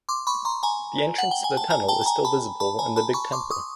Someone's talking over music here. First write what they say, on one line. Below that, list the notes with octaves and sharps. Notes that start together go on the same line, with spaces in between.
The entrance to the tunnel is still visible in the big temple.
C6 D6
B5 C#6
A#5 C6
G#5 A#5
F#5
G5
G#5
A5
G#5 A#5
G5 A5
A5
G#5 A#5
A5 B5
A5 B5
G#5 A#5
A5 B5
B5 C#6
C6 D6
C#6 D#6